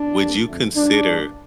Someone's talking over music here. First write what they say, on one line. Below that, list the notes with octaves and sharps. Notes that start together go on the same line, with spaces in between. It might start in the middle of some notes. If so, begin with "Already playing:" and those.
would you consider
Already playing: D4
G1 F2 D3 G3 A#3
F2 D3 A3
G1 G2 D3 F3 D4
G2 E3 A#3